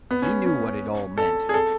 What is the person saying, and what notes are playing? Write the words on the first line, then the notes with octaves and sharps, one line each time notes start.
He knew what it all meant.
B3
C#4
C#4
A4
G#4
A4